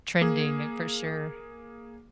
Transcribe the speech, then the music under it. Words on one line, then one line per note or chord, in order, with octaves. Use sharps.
trending, uh, for sure.
A#3 G#4